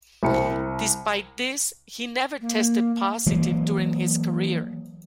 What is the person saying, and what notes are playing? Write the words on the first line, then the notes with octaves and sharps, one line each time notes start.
Despite this, he never tested positive during his career.
C2 C4 E4 G5 C#7
A#3
E3 F#3 G#3 A#3